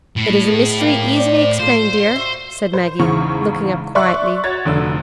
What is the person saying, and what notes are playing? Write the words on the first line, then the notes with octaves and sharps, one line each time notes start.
"It is a mystery easily explained, dear," said Maggie, looking up quietly.
A2
G#3 B3
A#3 G4
C5 D5
F4 A4 C5
F#4 E5
C5
E2 G#2 C#3 E3 C#6
D5 E5 C6 C#6 F#6
F#4 C#5 G#6 A6
F1 D3 E6